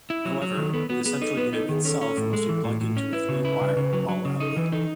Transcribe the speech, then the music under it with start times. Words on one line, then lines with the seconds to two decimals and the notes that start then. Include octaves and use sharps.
However, the central unit itself must be plugged into a three-wire wall outlet.
0.10 E4
0.25 F#3
0.42 F#3
0.57 D#3 A4
0.74 B3 A4
0.89 B3 F#4
1.05 B3 G#4
1.21 D#4 A4
1.37 B3 B4
1.53 D#4 A4
1.69 D#3 G#4
1.85 C#4 A4
2.01 C#4
2.17 A2
2.33 G#3
2.49 E3
2.65 A2
2.81 A2
2.97 C#4
3.13 E4 B4
3.29 C#3
3.45 E4
3.61 C#3
3.77 C#3
3.93 F#3
4.09 F#3
4.25 C#3
4.40 D#4 A4
4.52 A4
4.57 E3 B4
4.72 D#4 A4